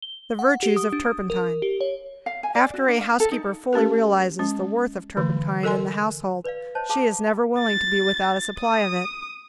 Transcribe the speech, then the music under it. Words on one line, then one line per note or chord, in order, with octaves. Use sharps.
The Virtues of Turpentine.--After a housekeeper fully realizes the worth of turpentine in the household, she is never willing to be without a supply of it.
G7
F#5
G4
D#6
D4
D#6
A#4
G4
C#5
F5
G#5
D5
F#4
D4
F5
A4
D#4
A3 C#4 G4 A#4
G#3 C#4
D3 E3 A3
A4 A#4 D#5 G#5 C6
B4 D5 F5
C5 C#5 D#5 A5
G#4 F5 A5 D6 D#6
A6
D#6